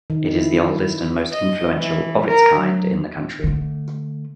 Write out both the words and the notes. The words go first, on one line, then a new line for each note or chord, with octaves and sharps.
It is the oldest and most influential of its kind in the country.
D#3
E4
D#5
E3
A#4
F#3
D3 A3